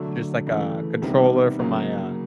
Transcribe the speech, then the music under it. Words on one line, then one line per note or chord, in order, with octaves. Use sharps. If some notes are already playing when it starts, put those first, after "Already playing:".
just, like, a controller for my, uh,
Already playing: D3 F#3 A3
C#3 E3 A3
C3 D#3 G3 B3
C#3 F#3 A#3